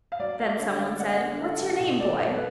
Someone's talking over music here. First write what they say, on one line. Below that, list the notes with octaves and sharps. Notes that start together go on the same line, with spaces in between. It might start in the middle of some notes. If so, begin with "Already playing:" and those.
Then someone said, "What's your name, boy?"
F5
F#3 D5
A3 F5
D3 C#5
C#4 F5
C#4 F#5
D3
A3
F#3
B2
A3 D5
A3 D5
B4